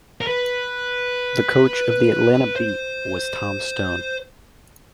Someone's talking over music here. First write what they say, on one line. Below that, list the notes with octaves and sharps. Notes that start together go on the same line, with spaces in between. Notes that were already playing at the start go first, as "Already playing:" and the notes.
The coach of the Atlanta Beat was Tom Stone.
A#4
B4
C5